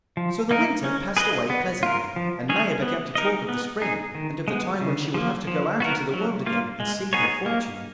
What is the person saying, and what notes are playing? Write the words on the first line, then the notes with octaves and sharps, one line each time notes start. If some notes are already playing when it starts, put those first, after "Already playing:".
So the winter passed away pleasantly, and Maia began to talk of the spring, and of the time when she would have to go out into the world again and seek her fortune.
F3
A#3 D#4 A#4
C#4
G#4 B4 D#5
B3
F4 A#4
F3
G#3 C#4 G#4 C#5
B3
D#4 A#4 D#5
B3
D#4 G#4
D#3
G#3 B3
C#3
F3 A#3
F3
B3 F#4 A#4
F#3
A#3 F4
G#3
B3 D#4 G#4 C#5
A#3